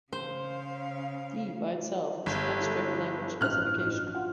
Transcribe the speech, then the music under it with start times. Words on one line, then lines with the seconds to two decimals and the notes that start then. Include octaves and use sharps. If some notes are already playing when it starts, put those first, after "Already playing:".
D by itself is an abstract language specification.
0.13 C#3 C5 F5
2.26 G1
2.59 E4 A4
3.41 A1 G2 E3 F6 F#6
4.15 F4 F#5